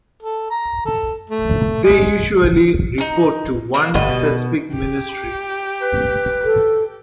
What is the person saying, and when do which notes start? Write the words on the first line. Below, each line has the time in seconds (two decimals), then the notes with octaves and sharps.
They usually report to one specific ministry.
0.23 A4
0.50 A#5
0.86 A4
1.30 A3
1.84 G#3
2.98 D#4 A#5
3.74 B2 F3 A#3
3.94 G1 A2 G3 B4 D#5
4.09 B2
4.72 G4
5.82 B4
6.44 A4